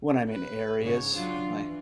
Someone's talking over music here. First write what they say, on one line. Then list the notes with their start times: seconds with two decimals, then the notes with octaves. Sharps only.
when I'm in areas. My
0.29 B4
0.81 G#2 C#3 C#5
1.14 F#3 D4 F4
1.47 E3